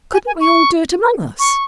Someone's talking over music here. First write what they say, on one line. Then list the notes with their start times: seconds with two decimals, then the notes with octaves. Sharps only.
"Couldn't we all do it among us?"
0.13 G#5
0.27 G#5
0.41 C#6
1.39 C#6